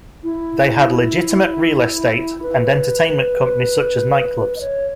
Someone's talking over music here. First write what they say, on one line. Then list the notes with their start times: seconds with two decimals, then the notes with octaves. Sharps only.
They had legitimate real estate and entertainment companies such as night clubs.
0.24 E4
2.43 B4
4.56 D#5
4.61 C#5